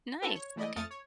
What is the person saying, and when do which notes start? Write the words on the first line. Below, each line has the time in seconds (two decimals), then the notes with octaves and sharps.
Nice, okay.
0.22 C4 F#4 A4 B4
0.35 C#5
0.56 E3 A3 E4 D5 D#5
0.76 F2 A3 D#6 F6 A6 C#7
0.91 C#5